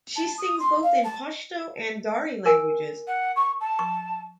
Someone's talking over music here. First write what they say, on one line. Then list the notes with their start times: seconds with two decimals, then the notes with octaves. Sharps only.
She sings both in Pashto and Dari languages.
0.15 A5
0.38 D#6
0.59 C6
0.82 F5
1.03 A5
2.46 A#4 G#5
3.08 F#5
3.36 C#6
3.61 A5
3.79 C#6